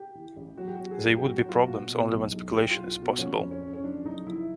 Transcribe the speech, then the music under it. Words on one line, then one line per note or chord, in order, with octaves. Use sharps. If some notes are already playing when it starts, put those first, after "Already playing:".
They would be problems only when speculation is possible.
Already playing: G4
E3
A1
F#3 F#4
G4
F#3 F#4
G#4
A#1
G4
F#3 F#4
F#3 F4
F#4
A#2
B2
B1
B1
F#3 G4
B1 F4
F4
B2
F#4
F3 C#4
F2
C#4
C#3
C#4
F3 D4
F#1 D#4
F3 E4